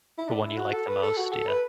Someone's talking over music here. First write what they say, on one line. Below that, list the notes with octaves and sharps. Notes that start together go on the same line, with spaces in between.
The one you like the most, yeah.
E4
D4
E4
F#4
A4
B4
A4
F#4
A4
B4